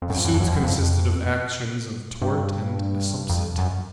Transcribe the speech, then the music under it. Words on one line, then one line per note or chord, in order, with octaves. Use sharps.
The suits consisted of actions of tort and assumpsit.
F2
F#2
F2
F#2
F2
F#2
F2
F#2
F2
G2
F2
F#2